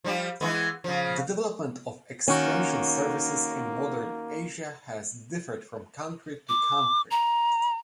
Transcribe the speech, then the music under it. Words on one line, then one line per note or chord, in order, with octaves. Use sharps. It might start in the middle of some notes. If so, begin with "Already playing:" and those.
The development of extension services in modern Asia has differed from country to country.
F3 G3 G4
E3 G#3 B3
C#3 F3
D#3 A#3 C#4 F#4
D6
A#5